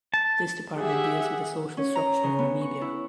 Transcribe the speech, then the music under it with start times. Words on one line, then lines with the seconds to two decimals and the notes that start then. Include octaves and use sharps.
This department deals with the social structure of Namibia.
0.14 A5
0.77 G4 G#4 E5 F#5
1.77 C#4
1.95 A#5
2.23 C#3
2.39 B3
2.61 C#6
2.81 E4